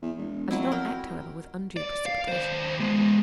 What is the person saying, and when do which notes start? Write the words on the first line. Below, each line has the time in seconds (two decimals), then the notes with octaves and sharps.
I did not act, however, with undue precipitation.
0.02 E2
0.17 E1
0.51 F2 F#3 E4
0.72 A#4 G5
1.77 D5
2.06 F5
2.28 D#2 C5
2.80 G#3 B3